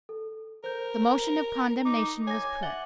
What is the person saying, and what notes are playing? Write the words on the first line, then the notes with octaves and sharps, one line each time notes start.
The motion of condemnation was put.
A4
A#4 C5 G6
D#4 D6
C#5 G#5 D6 A#6
E5 F#5 A6 G7